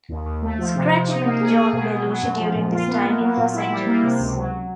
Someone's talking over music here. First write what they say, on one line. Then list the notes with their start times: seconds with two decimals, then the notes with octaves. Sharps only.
Scratch met John Belushi during this time in Los Angeles.
0.09 D#2
0.26 D#2
0.42 A3
0.59 F3
0.75 C3
0.92 C3
1.08 D#4
1.24 A#3
1.41 G#4
1.57 G#4
1.73 B2
1.89 B2
2.06 F#3
2.22 F#2
2.39 F3
2.55 A#2
2.72 F4
2.88 B3
3.05 A#3
3.21 F#3
3.37 A#2
3.54 E4
3.70 G3
3.86 A#3
4.03 C3
4.20 C#2
4.36 F#3